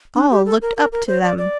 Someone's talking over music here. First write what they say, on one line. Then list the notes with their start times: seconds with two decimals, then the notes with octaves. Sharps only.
All looked up to them.
0.15 D4
0.31 G4
0.46 A4
0.62 A#4
0.77 A#4
0.92 A#4
1.08 C5
1.23 D5
1.38 D5